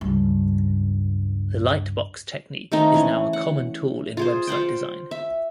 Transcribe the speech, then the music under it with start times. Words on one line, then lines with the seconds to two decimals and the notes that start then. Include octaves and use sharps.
The Lightbox technique is now a common tool in website design.
0.01 C#2 G2
2.72 D#3 A3 C4 D#4
2.94 E3 C#4
3.33 F#5
4.17 F4 G#4 C5
4.47 F4 C5 F#5 G5
5.11 E5